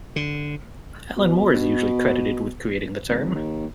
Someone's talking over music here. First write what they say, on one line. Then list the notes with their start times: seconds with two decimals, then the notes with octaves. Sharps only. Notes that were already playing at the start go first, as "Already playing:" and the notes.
Alan Moore is usually credited with creating the term.
0.16 D3
1.17 B2
3.08 G#1
3.35 D#2